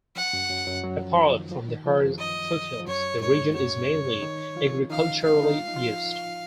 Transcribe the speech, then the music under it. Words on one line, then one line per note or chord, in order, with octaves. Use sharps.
Apart from the Harz foothills the region is mainly agriculturally used.
F3 F#5
F#2 F#3
F#2 F#3
F#2 F#3
F#2 F#3
F3
F3
D#3
F3
D#3
F3
F#2 F#3
D#5
F3
F#2 F#3 C#5
G#2 G#3 C#5
F#2 F#3 C#5
C#3 C#4
D#3 D#4
F3 F4
C#4
D#3 D#4 F5
D#4 F5
C#4
D#3 D#4
F4
D#4
F3 F4